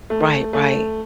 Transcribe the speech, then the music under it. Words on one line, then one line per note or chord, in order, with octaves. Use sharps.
Right, right.
A3
A3